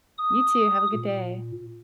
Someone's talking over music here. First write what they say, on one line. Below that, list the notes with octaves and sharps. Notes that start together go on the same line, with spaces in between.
You too, have a good day.
D#6
A#2